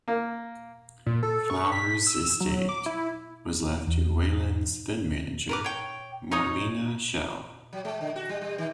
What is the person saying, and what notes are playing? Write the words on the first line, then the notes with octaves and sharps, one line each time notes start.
Flowers' estate was left to Wayland's then-manager, Marlena Shell.
A#3
A#2
A4
C#6
B6
E6
F#3
D6
E4
E2
A#4 B4 D6
C#5 G5
D#4 C#5 D#6
F#3
G#3
D3
F#4
G3
G3
D#3